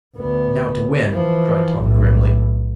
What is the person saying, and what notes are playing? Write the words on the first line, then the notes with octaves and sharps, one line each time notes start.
"Now to win!" cried Tom, grimly.
D2 B3
E3 F3
B1 A2